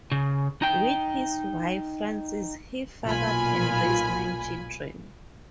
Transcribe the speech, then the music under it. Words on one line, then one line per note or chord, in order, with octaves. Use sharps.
With his wife Frances he fathered and raised nine children.
C#3
D#4 G5
B1 A#2 F4 G#5 B5